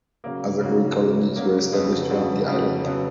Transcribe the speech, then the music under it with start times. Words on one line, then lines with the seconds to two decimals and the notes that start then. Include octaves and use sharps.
Other Greek colonies were established around the island.
0.24 C#3 F#3 A#3
0.61 C#3 F#3 A#3
0.99 C#3 F#3 A#3
1.36 C#3 F#3 A#3
1.73 F2 C#3 F#3 B3
2.10 F2 C#3 F#3 B3
2.47 F2 C#3 F#3 B3
2.84 F2 C#3 F#3 B3